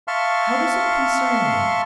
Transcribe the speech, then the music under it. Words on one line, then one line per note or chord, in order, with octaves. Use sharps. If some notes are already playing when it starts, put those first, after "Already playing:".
How does it concern me?
E5 F5 A5 C6 C#6 F6